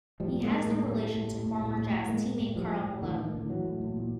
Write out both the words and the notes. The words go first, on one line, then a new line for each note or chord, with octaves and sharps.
He has no relation to former Jazz teammate Karl Malone.
A2 F3 G3
A2
G#3 A#3
A2
A2 G#3 A#3
A2
G3 A3
A2
A2
A2
A2
A2
A2
A2
A2 G#3 A#3
A2
A2
A2 F3 G3
A2
A2
A2 D3 E3
A2 D#3
A2 D3
A2 E3 F#3
A2
A2
A#2